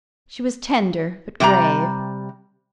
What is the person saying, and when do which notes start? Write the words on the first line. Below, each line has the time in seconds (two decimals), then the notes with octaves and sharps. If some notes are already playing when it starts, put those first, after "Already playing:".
She was tender, but grave.
1.40 C3 G3 G#5 A#5